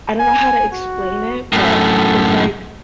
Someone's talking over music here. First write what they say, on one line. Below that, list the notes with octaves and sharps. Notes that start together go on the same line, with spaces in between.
I don't know how to explain it, but it's like
G#5
F#4
F#2 A2 A4